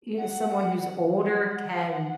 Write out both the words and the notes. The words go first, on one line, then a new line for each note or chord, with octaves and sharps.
you someone who's older can,
F#5
F#5
F#5
F#5